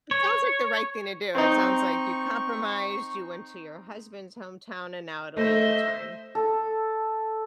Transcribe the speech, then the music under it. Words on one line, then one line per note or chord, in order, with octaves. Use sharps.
It sounds like the right thing to do, it sounds like you compromised, you went to your husband's hometown, and now it'll be your time,
C#5
C4 D#4 C#6
A3 C5 D#5 E5
A4